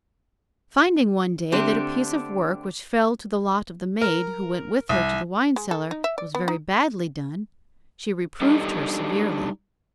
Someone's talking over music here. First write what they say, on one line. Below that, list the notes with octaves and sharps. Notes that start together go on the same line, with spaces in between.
Finding one day that a piece of work which fell to the lot of the maid who went with her to the wine-cellar was very badly done, she reproved her severely.
D3 A3 C4 D4 G4
A#4
C2
G#3
A4
D#4
E5
D5
B3
D#4
G3 D4 D#4 G4 A4 D#5